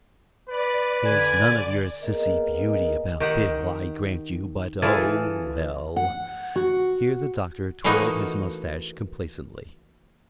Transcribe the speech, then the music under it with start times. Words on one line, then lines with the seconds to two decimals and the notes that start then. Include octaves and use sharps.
"There's none of your sissy beauty about Bill, I grant you, but--oh, well"--here the Doctor twirled his mustache complacently.
0.49 B4 D5
1.05 D3 G#5
2.03 A#3 B3 G#4 A#4 D#5
3.20 D#3 G4 F#5
4.82 E3 F4 G#4 A4
5.96 F#5
6.56 F#4
7.84 E3 A3 A#3 D#4 F#4